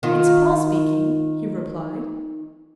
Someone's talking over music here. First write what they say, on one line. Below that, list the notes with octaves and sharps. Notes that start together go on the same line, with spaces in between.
"It's Paul speaking," he replied.
D#3 D#4 F4